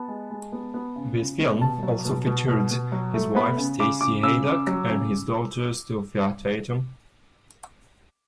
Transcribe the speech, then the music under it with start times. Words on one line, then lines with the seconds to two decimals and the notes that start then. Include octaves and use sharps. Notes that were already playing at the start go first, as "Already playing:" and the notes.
This film also featured his wife, Stacy Haiduk, and his daughter, Sophia Tatum.
Already playing: B3 A5
0.08 G#3
0.31 G#3
0.52 B3
0.74 B3
0.96 C#3
1.18 C#3
1.39 B3
1.61 B2 A5
1.83 F#3
2.05 B2
2.27 B2
2.48 B2
2.71 B2
2.92 F#3
3.14 A3
3.36 B3 B5
3.58 C#3
3.80 C#3 D6
4.01 C#3 D6
4.23 C#3 E6
4.45 C#3
4.67 F#3
4.89 C#3